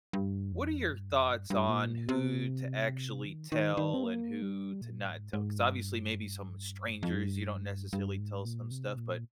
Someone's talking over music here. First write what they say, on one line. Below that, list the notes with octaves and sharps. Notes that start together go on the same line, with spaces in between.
what are your thoughts on who to actually tell and who to not tell? 'Cause, obviously, maybe some strangers you don't necessarily tell some stuff, but
G2
F2
G2
F2
G2
G2
A#2
C3
D#3
D#3
D#3
C4
A#3
G3
A#2
G#2
G#2
G2
F2
G2
G2
G#2
A#2
C3
A#2